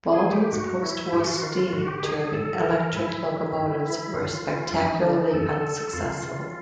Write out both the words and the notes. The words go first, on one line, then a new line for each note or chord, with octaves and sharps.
Baldwin's postwar steam turbine-electric locomotives were spectacularly unsuccessful.
G#4
E3
G4
G#2 F#4
E3 E4
G#2 G4
F#4
F4
F#4
D#3 F4
G#2 F#4
G4
D#3 G#4
G#4
G#2 A4
D#3 A#4
G#2 E4
D#3
G2
E3
G2 F4
E3 F4
F#2 E4
D#4
D3 D4
D#4
F#2 A4
D3
F2 F4
C#3 E3